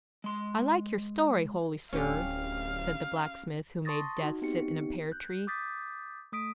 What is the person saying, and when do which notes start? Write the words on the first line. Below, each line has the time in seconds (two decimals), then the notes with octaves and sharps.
"I like your story, holy sir," said the Blacksmith who made Death sit in a pear-tree.
0.24 G#3 C6
1.93 D1 C#4 G4 F5
3.85 A5 C6 C#6 D#6 A6 A#6
4.18 D#4 F#4
4.42 B3 C4 D#4 G4 C#7
5.12 F#6 G6
5.47 D6 D#6 G6 A6 B6
6.32 A3 D#6 B6 D7